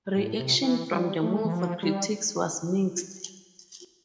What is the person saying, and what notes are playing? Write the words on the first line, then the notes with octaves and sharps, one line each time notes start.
Reaction from the movie critics was mixed.
A2
C3
E3
G3
A3
E3
F3
G3